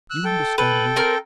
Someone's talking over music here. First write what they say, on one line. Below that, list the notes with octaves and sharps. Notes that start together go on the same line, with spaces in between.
You understand me?
E6 F#6
A4 G5
A4 B4 G5
C4 A#4 F6